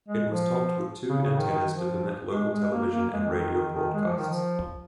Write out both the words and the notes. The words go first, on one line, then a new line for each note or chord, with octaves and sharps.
It was topped with two antennas to permit local television and radio broadcasts.
G#3
F3
C#3
C#3
D#3
D#3
F3
G#3
G#3
A#3
A#3
G#3
D#3
D#3
D#3
D#3
G#3
F3
D#3
F3